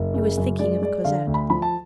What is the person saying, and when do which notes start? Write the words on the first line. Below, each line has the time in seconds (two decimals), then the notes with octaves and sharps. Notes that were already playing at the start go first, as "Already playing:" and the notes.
He was thinking of Cosette.
Already playing: F#1
0.14 C#3
0.38 F#2
0.59 G#3 D5
0.82 G#3 D5
1.04 D3 F5
1.27 D2
1.34 B5
1.50 F3 B5
1.62 A5